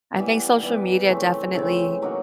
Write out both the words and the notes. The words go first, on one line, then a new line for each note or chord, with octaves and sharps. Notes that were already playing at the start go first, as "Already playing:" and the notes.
I think social media definitely
E3 G3 B3
E3 G3 B3
C#3 E3 A3 C4
C#3 E3 A3 C4
F#3 A#3 D#4 F#4